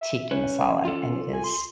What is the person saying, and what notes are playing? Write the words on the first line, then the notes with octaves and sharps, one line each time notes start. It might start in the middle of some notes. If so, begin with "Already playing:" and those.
tiki masala and it is
E5
C#4 B4 C#5
F4 A4
G#5
C6